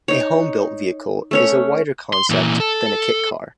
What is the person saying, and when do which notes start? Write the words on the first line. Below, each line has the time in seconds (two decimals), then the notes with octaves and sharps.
A homebuilt vehicle is a wider concept than a kit car.
0.08 D#4 C#5
1.31 A3 C#4 C#5
2.13 C6
2.30 A#2 E3
2.60 A4